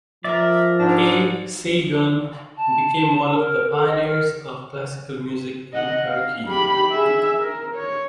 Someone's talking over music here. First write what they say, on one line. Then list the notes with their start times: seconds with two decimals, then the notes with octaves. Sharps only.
A. Saygun became one of the pioneers of classical music in Turkey.
0.24 F3 A#4 D5 E5
0.79 G#2 D4
2.56 A5
3.33 A#4
3.70 A4
3.85 D#5
4.04 A#4
5.73 D#5 F#5
6.05 F5
6.47 G4 B5
6.92 G#4 E5
7.39 A#4
7.75 C#5